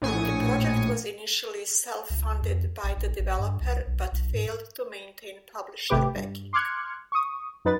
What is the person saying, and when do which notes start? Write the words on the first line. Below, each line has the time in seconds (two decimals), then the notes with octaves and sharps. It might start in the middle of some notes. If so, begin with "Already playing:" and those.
The project was initially self-funded by the developer but failed to maintain publisher backing.
0.02 A#1 A2 G#5 C#6 D#6
2.10 C#2
2.42 F2
2.83 A#1
2.96 A#1
3.19 A1
3.39 G2
3.60 C2
3.86 B1
4.12 B1
4.34 G#2
5.90 G#1 C3 A3 G4 B4 D6
6.16 G2
6.53 C6 D6 F6 F#6 G#6 C#7
7.12 C#6 D#6
7.65 F#2 D#4 B4 A6